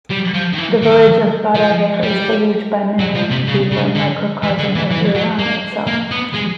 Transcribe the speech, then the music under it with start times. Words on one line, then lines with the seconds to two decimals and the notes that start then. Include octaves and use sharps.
The village of Barareh is believed by many be a microcosm of Iran itself.
0.11 G3
0.34 F3
0.53 D#3
0.58 E3
0.83 D#3
1.55 F3
2.03 G3
2.99 F#3
3.15 F3
3.30 C3
3.47 C#3
3.71 C#3
3.95 D3
4.43 E3
4.59 D3
4.75 E3
4.91 E3
5.15 F#3
5.39 A#3
5.87 A#3
6.11 B3
6.34 G#3